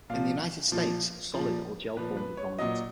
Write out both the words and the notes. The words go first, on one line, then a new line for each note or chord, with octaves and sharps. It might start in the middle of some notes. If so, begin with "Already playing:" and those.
In the United States, solid or gel forms are dominant.
A#2 F3 F5
A#2 F3
A#2 F3
A#2 F3 B4
B4
C#5
A#2 F#3 D#5